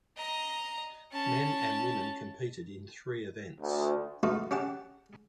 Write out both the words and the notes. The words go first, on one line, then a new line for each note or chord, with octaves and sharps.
Men and women competed in three events.
D#5 A#5
C#4 A5
D2
A3 B3 D#4 F4 F#4
C#4 G4 F#5 A5